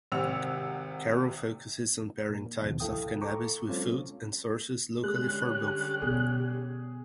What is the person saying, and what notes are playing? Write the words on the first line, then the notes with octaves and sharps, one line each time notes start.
Carroll focuses on pairing types of cannabis with food and sources locally for both.
G#1 C3 F#5 E6 F7
A#2
D2 G#2 B2 D3 D#3 F3
C2 E4 A4 F5 G5 D#6
A4 A#5 C#6 D6
F#3 G#3 C4 C#4 F4 A4
D3 G3 G#3 C#4 F#6
B2 B3 G#4